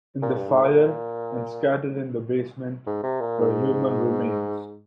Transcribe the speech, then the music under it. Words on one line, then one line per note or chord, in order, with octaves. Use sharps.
In the fire, and scattered in the basement, were human remains.
A#2
G2
G#2
A#2
G#2
C3
A#2
G#2